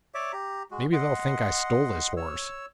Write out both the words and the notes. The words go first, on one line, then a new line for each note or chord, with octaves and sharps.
'Maybe they'll think I stole this horse.
C#5 D5 E5 D6
G4 A#5
G#3 F#4
D#5 F#5 C6
C#5 E6